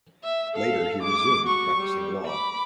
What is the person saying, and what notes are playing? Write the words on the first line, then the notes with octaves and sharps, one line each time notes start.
Later he resumed practicing law.
E5
A4 F5
G#3 D6
F#4 C#6
G3
B5 D6